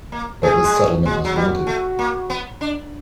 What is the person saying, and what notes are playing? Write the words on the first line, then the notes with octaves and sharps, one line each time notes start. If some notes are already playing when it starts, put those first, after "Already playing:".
But this settlement was limited.
A#3
A3 G#4
G#3
A3
G#3 F#4
F#3
G3
A3
A#3
B3
D4